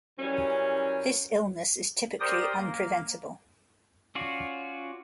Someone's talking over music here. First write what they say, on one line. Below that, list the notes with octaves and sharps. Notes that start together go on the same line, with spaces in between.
This illness is typically unpreventable.
F#2 E3 G3 C#4
G4 A#4 C5 D5 G5 D#6
A#3
C#4 F4 F#4 D5